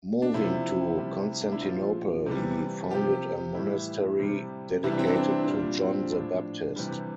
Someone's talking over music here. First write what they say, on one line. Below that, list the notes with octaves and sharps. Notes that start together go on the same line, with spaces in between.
Moving to Constantinople, he founded a monastery dedicated to John the Baptist.
D4
C3 F3 E4
C3 G3
D4
E4
A#2 F3 F4
C3 E3 G3
C3 F3 G4
A2 E3 G3 E4
C3 G3
C3 E3 G3 E4
D4
C4
D4
C4
C4
A#2 G3 D4
C4
A2 F3 D4
C3 E3 G3